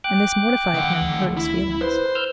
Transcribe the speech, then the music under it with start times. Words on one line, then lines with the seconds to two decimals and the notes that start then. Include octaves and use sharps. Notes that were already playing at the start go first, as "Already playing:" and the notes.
And this mortified him and hurt his feelings.
0.04 G5 D6 F#6
0.74 D#3 F#5
1.01 D2
1.37 E4
1.81 B4 C5
2.15 E6 F6 G6